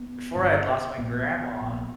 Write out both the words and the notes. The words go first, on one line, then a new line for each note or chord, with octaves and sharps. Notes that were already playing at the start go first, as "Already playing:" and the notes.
before I'd lost my grandma
Already playing: B3
G1 G2 D3
A#1 A#2 B3
A#1 A#2